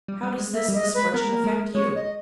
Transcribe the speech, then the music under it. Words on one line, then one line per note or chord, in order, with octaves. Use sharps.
How does this misfortune affect you?
G3
G3
G#3
A#3 E5
G3
D#5
G#3
G#3 B4
B3 A#4
A#3
G#3
G#3
G#3 C#5
D#5